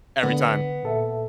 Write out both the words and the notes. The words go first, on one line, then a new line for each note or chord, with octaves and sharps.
every time.
D3 B3
A#2 A4 E5